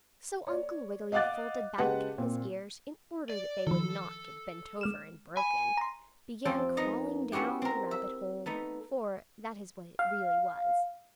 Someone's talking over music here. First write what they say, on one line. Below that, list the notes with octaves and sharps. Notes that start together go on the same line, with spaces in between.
So Uncle Wiggily, folding back his ears in order that they would not get bent over and broken, began crawling down the rabbit hole, for that is what it really was.
C#5 D5
D#5 F5 F#5 D6 F#6 A6
C#3 G#3 G4 B4 F#5 A5
A#2 C4
D5
D#3 F3 A4
G#3 F6 E7
G#5 B5
A#5 C6
F2 C4 A4 C5 G5
B3 D#4 A#4 D#5
B3 C#4 E4 F#4 G4
C4 A#4
E5
A3 B3 D#4
F5